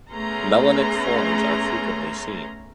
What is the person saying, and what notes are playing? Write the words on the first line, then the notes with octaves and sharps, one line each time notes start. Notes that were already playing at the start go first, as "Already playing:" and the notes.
Melanic forms are frequently seen.
A3 B3 C#4 G#4 A#5 C6